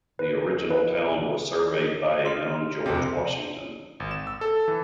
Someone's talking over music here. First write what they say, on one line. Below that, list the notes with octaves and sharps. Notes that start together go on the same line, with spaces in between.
The original town was surveyed by a young George Washington.
B4
B4
C6 F6
F2 C3
G#1
E7
E6
A4
E3